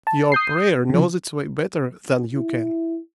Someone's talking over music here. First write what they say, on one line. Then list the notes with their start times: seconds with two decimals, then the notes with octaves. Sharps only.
Your prayer knows its way better than you can.
0.07 A5
0.32 D#6 G6 C7
0.90 C#3 F3
2.33 E4